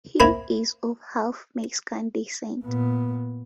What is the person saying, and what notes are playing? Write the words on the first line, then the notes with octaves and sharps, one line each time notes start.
He is of half Mexican descent.
A#3 C4 E4 G#5 A#5 B5
A#2 B3